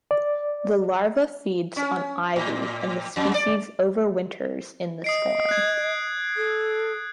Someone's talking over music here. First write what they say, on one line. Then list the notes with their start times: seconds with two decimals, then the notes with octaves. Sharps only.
The larva feeds on ivy and the species overwinters in this form.
0.11 D5
1.77 C#4
2.36 A2
3.16 F2
3.34 D5
5.04 D#5 D#6 C7 D7
5.49 F#6 G#6
6.37 A4